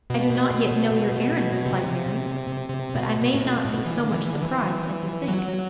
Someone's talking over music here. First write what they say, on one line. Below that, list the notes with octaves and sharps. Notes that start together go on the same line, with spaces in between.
"I do not yet know your errand," replied Mary; "but I may not be so much surprised as you think."
B2
C3
C3
B2
B2
A2
B2
A2
B2
E3
D3
E3
E3
D3
E3
F#3